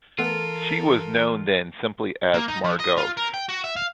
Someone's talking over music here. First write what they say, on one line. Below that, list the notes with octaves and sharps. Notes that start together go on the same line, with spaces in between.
She was known then simply as Margox.
E3 A3 B3 F4 A4 A#4
A#3
D#4
F3
D#5
F4
A#4
G5
F#4
E5
F5